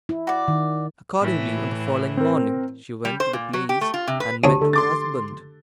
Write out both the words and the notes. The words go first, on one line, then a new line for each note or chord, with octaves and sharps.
Accordingly, on the following morning she went to the place and met her husband.
E4
F#4 D5
D#3
A2 E3
C4 A#4
G3
C5
A#2
F#3
G4
A3
F4
C3
B4
D2 G4 C#5 A5
D3 A4
C6 D6 A6